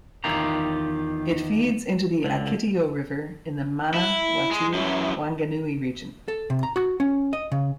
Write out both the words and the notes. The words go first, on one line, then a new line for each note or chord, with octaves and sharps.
It feeds into the Akitio River in the Manawatu-Wanganui region.
E2 D#3 F4 G4 A#5
C#2 D3
E4
G#3
F#2 E3
A4
C3
A#5
F#4
C#4
D#5
C#3